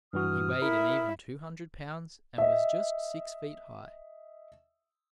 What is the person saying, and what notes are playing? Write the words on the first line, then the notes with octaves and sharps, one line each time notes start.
He weighed an even two hundred pounds and was just six feet high.
G2 E3 F#4 D#6 F6
E4 A#4 E5
D#5 E5